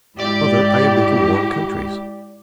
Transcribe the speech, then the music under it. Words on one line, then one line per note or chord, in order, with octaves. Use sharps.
"Mother, I have been to warm countries."
G#2 E4 G4 D5